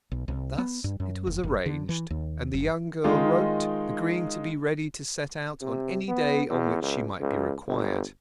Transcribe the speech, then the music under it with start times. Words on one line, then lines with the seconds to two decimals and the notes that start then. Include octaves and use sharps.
Thus it was arranged; and the young girl wrote, agreeing to be ready to set out on any day on which she might be required.
0.12 B1
0.28 C2
0.58 B3
0.84 G2
1.00 F#2
1.27 F1
1.43 F#1
1.66 D3
1.89 E3
2.10 D#2
2.53 F#1
3.04 D#3 G#3 D#4 F4
5.62 C3
6.08 B3
6.50 E2
6.82 C#2
7.20 C#2
7.67 G1